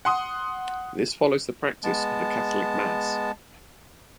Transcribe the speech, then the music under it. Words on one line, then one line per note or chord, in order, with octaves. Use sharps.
This follows the practice of the Catholic mass.
F#5 C6 D#6
G#3 B3 A5